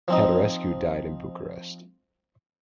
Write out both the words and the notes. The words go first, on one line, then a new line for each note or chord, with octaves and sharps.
Tattarescu died in Bucharest.
F3 C4 D#4